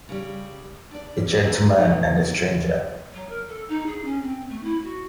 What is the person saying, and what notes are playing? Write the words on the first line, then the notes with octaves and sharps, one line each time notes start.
A gentleman and a stranger!
C#3 G3
D4 D5
E3 C4 D#4 F4 G#4 A4
B2 E3 F#3 A3 D#4 G4
F#3
A#4
A4
D#4
G#4
C#4
C4
A3
E4
F#4